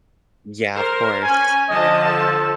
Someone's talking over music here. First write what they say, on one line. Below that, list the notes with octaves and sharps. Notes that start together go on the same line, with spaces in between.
Yeah. Of course.
A#4 C5 C6
C#4 G#5
D3 F3 D#5 A5
A4